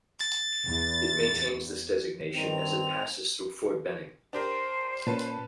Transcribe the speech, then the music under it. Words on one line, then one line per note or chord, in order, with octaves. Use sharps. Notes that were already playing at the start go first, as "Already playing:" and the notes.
It maintains this designation as it passes through Fort Benning.
A6
E2
G2 D#3 C4 F7
D4 G4 A#4 C5
A#2 C#4 B4 A5